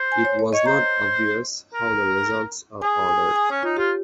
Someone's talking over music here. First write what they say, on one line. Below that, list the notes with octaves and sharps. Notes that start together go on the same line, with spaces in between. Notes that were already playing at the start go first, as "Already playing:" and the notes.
It was not obvious how the results are ordered.
Already playing: C5
G#5
C#5
C#5
C#5 D#5
C5 A#5
A#4
G#4 G#5
G#5
G#5
C#4 C#5
D#4 F4
F4 G4